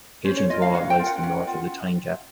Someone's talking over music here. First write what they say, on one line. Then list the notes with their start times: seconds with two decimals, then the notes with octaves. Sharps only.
Hadrian's Wall lies to the north of the Tyne Gap.
0.24 C#4 C5
0.37 C#5
0.49 F4 D#5
0.53 A#4
0.62 F5
0.74 C#4 F#5
0.90 G5
0.99 F4 A#4
1.07 F#5
1.23 C#4 F#5
1.47 F4